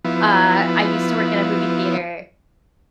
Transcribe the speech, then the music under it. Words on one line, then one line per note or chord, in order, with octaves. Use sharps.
uh, I used to work in a movie theater,
F3 B3 E4